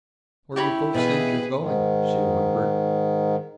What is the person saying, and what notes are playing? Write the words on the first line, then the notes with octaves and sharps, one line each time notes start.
"Where you folks think you're going?" she whimpered.
E4 G4 C#5 B5
B2 E3 G#4 B4 F5
G#2 D#3